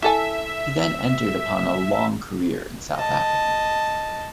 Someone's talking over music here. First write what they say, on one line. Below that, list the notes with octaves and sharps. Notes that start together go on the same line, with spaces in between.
He then entered upon a long career in South Africa.
E4 A4 E5 G#5
D#5 A5